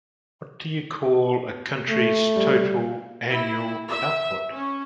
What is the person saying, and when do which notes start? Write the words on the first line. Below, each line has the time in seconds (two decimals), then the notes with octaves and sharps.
What do you call a country's total annual output?
1.89 A3
2.36 G3
3.28 E4
3.88 E5
4.52 C#4